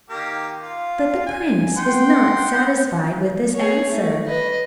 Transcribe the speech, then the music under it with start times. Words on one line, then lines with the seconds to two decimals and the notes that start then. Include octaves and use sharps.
But the prince was not satisfied with this answer.
0.10 D#3 A#3 G4
0.62 F4
1.26 G#5
1.77 F#5 G5 C6
3.55 G#4 C#5
3.89 A3
4.26 B4 D#5